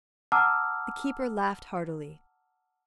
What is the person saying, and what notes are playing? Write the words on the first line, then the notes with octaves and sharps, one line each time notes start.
The keeper laughed heartily.
F#5 A5 A#5 D6 E6 F6